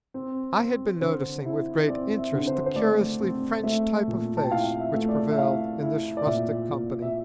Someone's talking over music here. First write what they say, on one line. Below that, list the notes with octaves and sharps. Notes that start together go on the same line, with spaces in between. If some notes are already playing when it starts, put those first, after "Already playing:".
I had been noticing with great interest the curiously French type of face which prevailed in this rustic company.
C4
C4
D3 C5
E4
C4 D5
E5
D3
C5
C5
A3 D5
C4
A3 E5
A#2
A5
G5
E4 F5
E5
A3
D5
E5
E4 F5
E4
D5
A#2 E5
A#2
E5